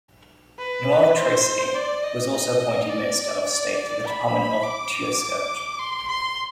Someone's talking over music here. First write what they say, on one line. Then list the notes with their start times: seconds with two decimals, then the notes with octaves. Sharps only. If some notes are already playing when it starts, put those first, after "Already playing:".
Noel Treacy was also appointed Minister of State at the Department of the Taoiseach.
0.59 B4
1.16 C5
1.75 D5
2.04 D#5
2.32 D#5
2.90 D5
3.48 D5
4.06 B5
4.64 D6
5.79 C6
6.08 C6